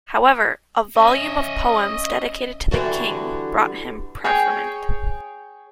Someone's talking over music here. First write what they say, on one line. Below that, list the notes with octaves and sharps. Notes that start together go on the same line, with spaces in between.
However, a volume of poems dedicated to the king brought him preferment.
C#4 D#5 E5
D3 E3 G3 F#4
G#4 C#5 G5